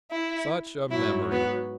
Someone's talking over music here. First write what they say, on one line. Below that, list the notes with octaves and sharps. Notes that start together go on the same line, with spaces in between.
Such a memory!
E4
G#2 F#3 E4
B3